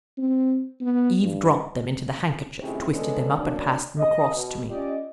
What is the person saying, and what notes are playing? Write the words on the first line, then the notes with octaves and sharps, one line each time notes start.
Eve dropped them into the handkerchief, twisted them up and passed them across to me.
C4
B3
G2
A2 C3 D#3 C#4 F4 G#4
G#3 B3 C#4 D4 G#4 A4
F#3 A#3 C#4 D4
D#5
B2
C#4 F4 G4 D5 D#5